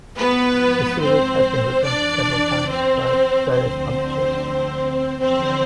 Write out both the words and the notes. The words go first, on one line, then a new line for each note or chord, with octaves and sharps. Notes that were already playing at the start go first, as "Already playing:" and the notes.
The series has been reprinted several times by various publishers.
G#2 F3 B3 B4
C4 C5
F2 E3 D4 D5
C4 C5
D2 D3 F3 C4 C5
E2 D3 F3 C4 C5